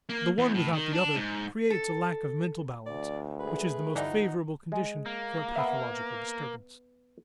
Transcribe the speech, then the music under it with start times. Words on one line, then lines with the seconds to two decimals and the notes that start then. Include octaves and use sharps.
The one without the other creates a lack of mental balance which is the most favorable condition for a pathological disturbance.
0.09 A#3
0.38 E2
0.54 A2
0.73 D#3
0.92 D4
1.16 G#2
1.70 A4
2.86 D2 D5
3.39 G#3 A3 G#4 B4
3.96 G2 A#2 D3 E3 D#4 F#5
4.72 G#3
5.06 A#3
5.56 B3 E5